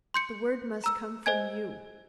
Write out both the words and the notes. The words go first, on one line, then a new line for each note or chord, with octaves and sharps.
The word must come from you.
C6 G6 C#7
A#5 E6
C5 D#5 G#5 G#6